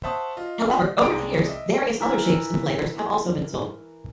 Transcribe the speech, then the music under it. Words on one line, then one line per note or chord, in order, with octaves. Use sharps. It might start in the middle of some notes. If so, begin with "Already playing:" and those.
However, over the years, various other shapes and flavours have also been sold.
C5 E5 F#5 A5 C#6 D#6
F4 D#5
C2 G#3 D5 A#5 D#6 D7
D#5 E5
E3 A#4 E5